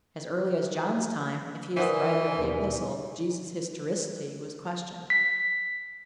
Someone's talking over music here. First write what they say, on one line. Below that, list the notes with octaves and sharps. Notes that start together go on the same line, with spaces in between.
As early as John's time, if he is the writer of the epistle, Jesus' historicity was questioned.
E3 A#4 C5 D5 F#5 G#5 D#6
D#2 B2
B6